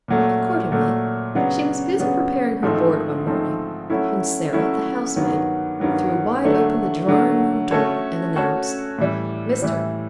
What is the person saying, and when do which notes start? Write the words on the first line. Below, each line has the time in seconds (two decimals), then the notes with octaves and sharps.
Accordingly, she was busy preparing her board one morning, when Sarah, the housemaid, threw wide open the drawing-room door and announced, 'Mr.
0.08 A#2 F#3 A3
0.72 A#2 F#3 A3
1.35 C#3 F#3 B3 D4
1.99 C#3 F#3 B3 D4
2.62 G#2 F3 A3 C4 D#4
3.27 G#2 F3 A3 C4 D#4
3.90 F#3 A3 C#4 E4
4.53 F#3 A3 C#4 E4
5.16 G2 D#3 F#3 B3
5.80 G2 D#3 F#3 B3
6.45 D3 F#3 A3 D4
7.08 D3 F#3 A3 D4
7.71 A3 C#4 F#4 A4 C#5
8.35 A3 C#4 F#4 A4 C#5
8.98 A2 E3 G3
9.62 A2 E3 G3